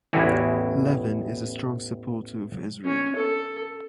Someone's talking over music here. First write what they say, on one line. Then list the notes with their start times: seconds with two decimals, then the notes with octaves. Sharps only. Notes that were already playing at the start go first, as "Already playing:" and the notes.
Levin is a strong supporter of Israel.
0.13 A1 E2 E4 F#4 G4 G#5
2.85 C#4
3.16 A4